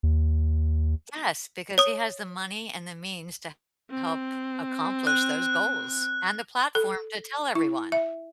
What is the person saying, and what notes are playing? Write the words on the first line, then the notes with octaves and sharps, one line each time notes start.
Yes, because he has the money and the means to help accomplish those goals, and the platform to tell everyone.
D#2
C#5 D#6
C4
F#6
A4
E4
E5